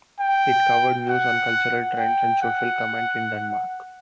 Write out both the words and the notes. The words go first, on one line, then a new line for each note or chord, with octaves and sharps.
It covered news on cultural trends and social comment in Denmark.
G5
F#5
G5
F#5